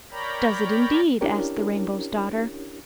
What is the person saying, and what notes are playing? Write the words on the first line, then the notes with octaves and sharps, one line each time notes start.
"Does it, indeed?" asked the Rainbow's Daughter.
A#4 C#5 D5 G5 A#5 B5
C#4 D4 E4 G4 A#4 C#5